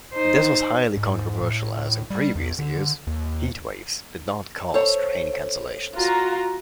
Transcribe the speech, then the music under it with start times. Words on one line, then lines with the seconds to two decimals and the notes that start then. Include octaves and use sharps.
This was highly controversial as, in previous years, 'heatwaves' did not cause train cancellations.
0.14 D#4 C5
0.97 G#2
1.42 A2
2.10 G3
2.36 E2
2.59 D3
3.07 D#2
4.74 A4 C5 C#5
5.95 F4 F#4 A#5